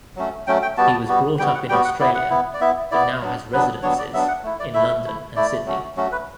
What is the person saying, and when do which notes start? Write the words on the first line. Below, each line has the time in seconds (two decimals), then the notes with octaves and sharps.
He was brought up in Australia, but now has residences in London and Sydney.
0.16 F#3 A3 C#4
0.47 F#3 A3 C#4 G5
0.62 G5
0.77 G3 B3 F#4 A5
1.08 G3 B3 F#4
1.39 G3 B3 F#4 G5
1.55 F#5
1.69 G3 B3 F#4 G5
1.85 F#5
2.00 B3 E4 D5
2.15 F#5
2.30 B3 E4
2.54 D5
2.60 B3 E4 E5
2.91 B3 E4 D5
3.21 F#3 B3 D4
3.52 F#3 B3 D4 B4
3.83 F#3 B3 D4 C#5
3.99 D5
4.13 F#3 B3 D4 E5
4.28 F#5
4.43 A3 E4
4.60 D5
4.74 A3 E4 E5
5.05 A3 E4
5.36 A3 E4 D5
5.66 F#3 A3 C#4 F#4
5.96 F#3 A3 C#4 F#4
6.12 B4